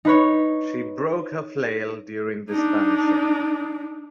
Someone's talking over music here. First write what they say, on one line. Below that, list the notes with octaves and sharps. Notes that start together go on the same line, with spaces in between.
She broke her flail during this banishing.
D#4 B4 C#5
D4 D#4